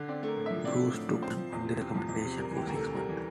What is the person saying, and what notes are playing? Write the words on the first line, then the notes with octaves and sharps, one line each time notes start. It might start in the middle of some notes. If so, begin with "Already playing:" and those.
Bruce took no action on the recommendations for six months.
Already playing: D3
C4 D5
A3
A#4
A2
F3 E5
C4 D5
A3
A2
F3
C4 C5
F3
E2
C3
C4
F3
E2
C3
G3 A#4
E3
G4
D2 A#4
C3 A4
G3 A#4
E3